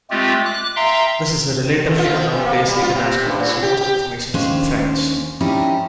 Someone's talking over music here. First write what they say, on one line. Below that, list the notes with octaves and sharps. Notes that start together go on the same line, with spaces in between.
This is a relatively unknown place internationally, so most information is in French.
G#3 A3 C4 F4 G4
D6 F#6
E5 F5 G5 A#5 C6
D#3
F4
F3
B2
A#3
G3
F4
C3
G2
A2
G4
G4
D#2 C#4 D4 F4 G#4 C5
F3 G3 C#4 D#4 E4 G4